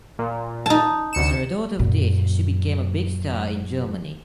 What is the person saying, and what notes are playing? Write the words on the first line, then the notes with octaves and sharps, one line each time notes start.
As a result of this she became a big star in Germany.
A#2
D#4 A5
D2 C#7 E7
F#2 A#2